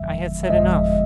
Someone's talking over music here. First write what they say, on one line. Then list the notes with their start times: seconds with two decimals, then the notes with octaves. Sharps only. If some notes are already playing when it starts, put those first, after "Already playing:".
I had said enough.
Already playing: G1 F2 D3 F3 G#3 E5
0.43 E5
0.50 G1 F2 D3 F3 G#3 D#5